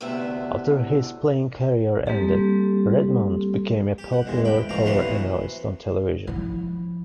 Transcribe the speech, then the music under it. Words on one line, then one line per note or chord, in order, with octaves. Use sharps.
After his playing career ended, Redmond became a popular color analyst on television.
D2 A2 C3 B3 E5
G3 A#3 C4 G4 A4
G4
F#5
B1 E2 G2 G#3
D2 G5 B5
A1 D#2 F3 A3 F4 A#5
C3 E3 F#3 B3 B4 C6
F3 E4